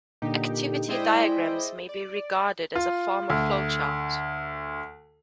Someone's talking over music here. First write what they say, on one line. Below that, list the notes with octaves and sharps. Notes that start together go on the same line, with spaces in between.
Activity diagrams may be regarded as a form of flowchart.
A#2 D3 D#4 G4
G#3 E4 C5 D5 D#5 G5
D5
F4
D2